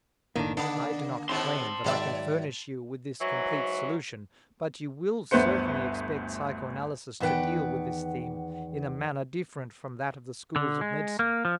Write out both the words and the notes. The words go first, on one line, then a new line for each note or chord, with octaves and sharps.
I do not claim that I can furnish you with this complete solution, but you will certainly expect psychoanalysis to deal with this theme in a manner different from that of the schools of medicine.
F#1 A2 D#3 A#3 D4
D3 D#3 A#3 D4
D#2 G#2 C4 A5 C6
G#2 D#3 F#3 D5 E5
G#2 E3 F#3
G1 D2 B3 B4 C5 C#7
E2 D#3 B4 E5 F#5 G5
D3
G#3
A#3
F3